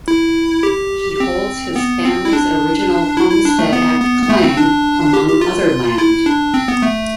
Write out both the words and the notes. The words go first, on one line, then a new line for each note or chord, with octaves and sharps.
He holds his family's original Homestead Act claim among other land.
E4
G4
C4
B3
C4
E4
D4
E4
E4
D4
A3
B3
B3
B3
A3
C4
D4
G4
G4
F4
E4
D4
C4
B3
A3